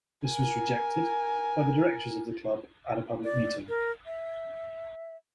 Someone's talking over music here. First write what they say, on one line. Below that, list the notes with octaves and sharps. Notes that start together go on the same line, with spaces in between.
This was rejected by the directors of the club at a public meeting.
A#4 G#5
D5
A#4
E5